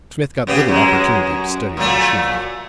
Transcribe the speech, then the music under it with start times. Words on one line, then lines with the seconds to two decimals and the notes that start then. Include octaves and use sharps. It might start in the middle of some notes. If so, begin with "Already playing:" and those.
Smith got little opportunity to study the machinery.
0.47 C#3 B3 G4
0.68 F#2 G#3
1.77 A#2 F#3 A3